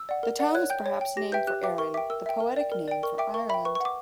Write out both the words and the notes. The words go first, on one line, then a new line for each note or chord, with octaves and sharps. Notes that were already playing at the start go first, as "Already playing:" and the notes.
The town was perhaps named for Erin, the poetic name for Ireland.
Already playing: E6
D5 F#5
A#4
D5 F#5
C#5 F#6
G5 G6
C#5
G5
G4 A#6
B4 E5 G5 G6
G4 F#6
B4 E5 G5 D6
A#4 C#6
E5 G5 D6
A#4 E6
E5 G5
A#4
D5 G5
A#4
D5 G5
A#4 C#6
E5 G5 D6
A#4 C#6
E5 G5 B5
B4 C#6
C#6
F#5 D6